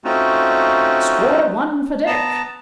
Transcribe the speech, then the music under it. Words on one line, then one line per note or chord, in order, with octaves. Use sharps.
Score one for Dick.
A3 C4 C#4 D#4 F4 F#4
B3 A5 A#5